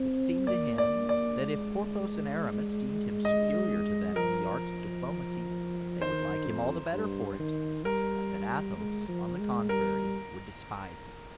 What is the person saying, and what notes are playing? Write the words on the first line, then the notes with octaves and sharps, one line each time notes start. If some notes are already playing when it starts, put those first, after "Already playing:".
It seemed to him that if Porthos and Aramis deemed him superior to them in the arts of diplomacy, they would like him all the better for it; but that Athos, on the contrary, would despise him.
Already playing: C4
A#3 D5
D5
D5
G#3
D#5
F3 A#4
D#3 C5
F2
G2
D#3
G3 A#4
G#3
F3
G#3
G3 A#4